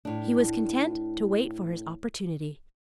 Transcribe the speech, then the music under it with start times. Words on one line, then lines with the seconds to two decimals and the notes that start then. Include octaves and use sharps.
He was content to wait for his opportunity.
0.05 A2 D4